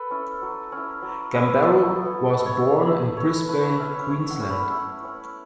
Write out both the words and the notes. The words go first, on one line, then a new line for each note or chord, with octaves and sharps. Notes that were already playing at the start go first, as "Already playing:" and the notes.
Gambaro was born in Brisbane, Queensland.
Already playing: A4 B4
C#4 E4
F#3
C#4
E4
F#3
B3 E4
F#3 A4
B3 E4
A3 B4
C#5
E4
A3 E5
E4 C#5
A3 B4
C#5
C#4 E4 E5
C#5
A3 C#5
F#5
C#4 E4 C#6
B5
A3
C#4 E4